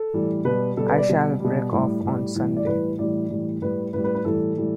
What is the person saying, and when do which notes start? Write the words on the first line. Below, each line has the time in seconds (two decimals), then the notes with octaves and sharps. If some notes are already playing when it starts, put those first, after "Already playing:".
I shall break off on Sunday.
Already playing: A4
0.13 A2 E3 G3
0.45 B2 G3 B4
0.77 B2 G3 A4
0.88 B4
0.98 D5
1.09 B2 G3
1.40 B2 G3
1.72 A2 G3
2.03 A2 G3
2.35 A2 E3 G3
2.57 D5
2.66 A2 E3 G3 B4
2.98 A2 E3 G3 D5
3.30 A2 E3 G3
3.62 A2 G3 B4
3.93 A2 G3 B4
4.04 B4
4.15 B4
4.25 A2 E3 G3 A4
4.57 A2 E3 G3